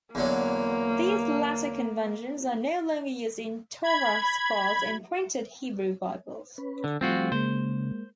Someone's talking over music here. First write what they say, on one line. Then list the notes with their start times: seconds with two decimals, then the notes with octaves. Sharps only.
These latter conventions are no longer used in Torah scrolls and printed Hebrew Bibles.
0.15 E2 D3 F#3 A#3
3.83 B5 G#6
6.58 C#4 B4
6.84 D3
7.01 F3 G3 A3 C4 F4 F#4
7.32 C#3 G#3 A#3 C5